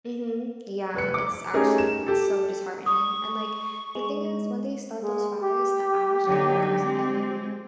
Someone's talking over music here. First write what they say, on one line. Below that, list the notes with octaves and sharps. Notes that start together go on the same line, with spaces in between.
Mhm. Yeah. It's actually so disheartening, and, like, the thing is when they start those fires, the ash, kind of, goes everywhere,
F1 B4 C#7
D6
A3 C#4 D#4 G4 G#4 A#4
E7
G4 A4
C#6 D#6
G#3
G#3
G4
D3 F#3 D#4
G#3 C4